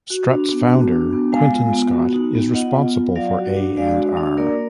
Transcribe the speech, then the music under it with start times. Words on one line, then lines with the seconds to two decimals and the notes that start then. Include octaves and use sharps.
Strut's founder, Quinton Scott, is responsible for A and R.
0.10 F#4
0.31 D4
0.51 B3
0.72 F#4
0.92 D4
1.13 B3
1.32 G#3 F5 G#5
1.53 F4
1.73 B3
1.93 F#4
2.14 D#4
2.35 B3
2.54 F4 D#5 F#5
2.76 B3
2.95 F4
3.15 F#3 D5 F5
3.36 F#4
3.56 D4
3.77 G#3 D5 F5
3.96 F#4
4.17 D4
4.38 A#3 A#4 D5